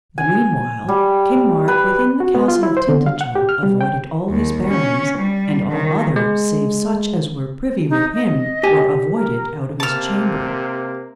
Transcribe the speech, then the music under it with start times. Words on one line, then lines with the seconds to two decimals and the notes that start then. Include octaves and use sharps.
The meanwhile King Mark within the castle of Tintagil avoided all his barons, and all other save such as were privy with him were avoided out of his chamber.
0.18 G#5
0.88 G3
1.68 B4
2.20 F#4
2.35 B3
2.48 F4
2.63 E4
2.77 C5
2.89 D3
3.06 F5
3.21 F#5
3.35 G4
3.49 F6
3.63 G3
3.81 G5
4.30 D#2
4.67 C#4
5.19 G3
5.72 D#3
6.16 G#3
7.89 D#4
8.15 D#5
8.63 G4 G#5
9.14 A#4
9.80 C3 A#3 A5 F6